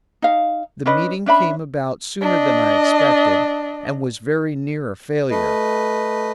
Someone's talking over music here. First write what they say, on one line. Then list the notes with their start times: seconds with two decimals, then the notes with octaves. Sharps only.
The meeting came about sooner than I expected, and was very near a failure.
0.22 D#4 F5
0.86 C#4 D4 B4 D#5
1.26 C#4 D4 E5 B5
2.21 D4 D#5
5.31 A3 B4 D#5